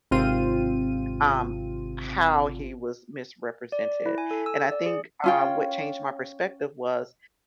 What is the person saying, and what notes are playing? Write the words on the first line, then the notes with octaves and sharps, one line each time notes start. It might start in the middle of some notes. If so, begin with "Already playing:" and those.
um, how he was misrepresented, and I think, um, what changed my perspective was,
G#1 C3 C4 F4 D#7
D5
E4
G#5
A4
E6
D5
G#4
C#4 F4 G5